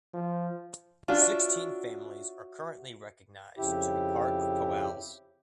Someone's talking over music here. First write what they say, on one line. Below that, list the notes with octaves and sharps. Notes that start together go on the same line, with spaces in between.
Sixteen families are currently recognized to be part of Poales.
F3
D4 F4 F#4 C#5 E5
F2 C#3 E4 G4